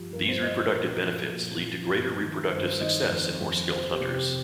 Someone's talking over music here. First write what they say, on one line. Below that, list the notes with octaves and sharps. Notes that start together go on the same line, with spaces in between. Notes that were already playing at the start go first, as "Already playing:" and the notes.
These reproductive benefits lead to greater reproductive success in more skilled hunters.
Already playing: G2 F3 G4
G2 A#4
C5
F3 D#5
C5
A#2 A#4
F3
A#2
F3
G2
D#3
G2 C5
D#3 D#5
F2 C5
F2
F3 C5
G4
C3
G4